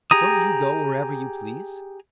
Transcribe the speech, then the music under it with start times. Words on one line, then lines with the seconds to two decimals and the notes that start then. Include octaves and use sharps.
"Don't you go wherever you please?"
0.11 G4 G#4 A#5 D#6